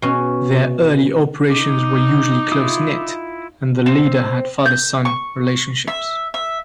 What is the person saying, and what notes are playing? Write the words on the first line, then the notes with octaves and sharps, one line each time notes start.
Their early operations were usually close-knit, and the leader had father-son relationships.
B2 C#4
D#4 D6
E4 F4 D#6
C4
G6
C#6
E5
E5